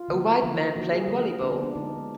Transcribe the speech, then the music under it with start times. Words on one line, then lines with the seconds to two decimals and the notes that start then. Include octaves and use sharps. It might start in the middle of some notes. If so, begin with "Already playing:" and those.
A white man playing volleyball.
Already playing: F4
0.08 D3 F3 A#3
0.43 D3 F3 A#3
0.75 D3 F3 A#3 F#4
0.92 G#4
1.08 D3 F3 A#3 A#4
1.42 D3 G#3 D4
1.52 B3
1.63 D4
1.75 D3 G#3 D#4